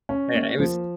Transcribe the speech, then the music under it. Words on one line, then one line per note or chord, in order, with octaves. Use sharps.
Yeah, it was
C#4
A#3
F3